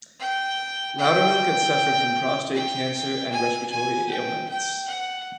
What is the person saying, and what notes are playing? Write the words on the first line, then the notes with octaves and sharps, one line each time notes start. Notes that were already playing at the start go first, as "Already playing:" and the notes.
Loudermilk had suffered from prostate cancer and respiratory ailments.
G5
G5
G5
G#5
G#5
G5
G5
F#5